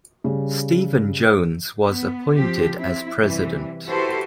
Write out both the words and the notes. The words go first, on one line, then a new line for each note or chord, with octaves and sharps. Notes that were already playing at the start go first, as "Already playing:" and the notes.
Steven Jones was appointed as President.
C#3 G3
B3
F3 C4 G4
C4 E4
C3 E3 G3
E4 F#4 G4 A4 B4 C5